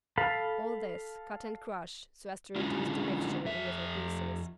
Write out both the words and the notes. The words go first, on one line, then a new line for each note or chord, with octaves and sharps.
All this cut and crush so as to reduce the mixture in little pieces.
A4 F5 B5
D3 F#3 G#3 C#4 E4 F4
F2 E5